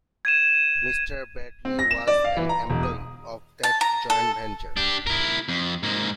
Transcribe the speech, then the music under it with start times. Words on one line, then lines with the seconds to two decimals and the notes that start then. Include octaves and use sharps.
Mr. Bradley was an employee of that joint venture.
0.25 G#6 D#7 E7
1.65 C4
1.79 A#6
1.91 E7
2.07 D5
2.24 F5
2.37 E3
2.49 A#5
2.70 E1
2.83 D#6
3.63 A5
3.81 A#5
4.10 A4
4.77 D4 G4
5.07 E4 A#4
5.49 F2
5.83 G#2 A#3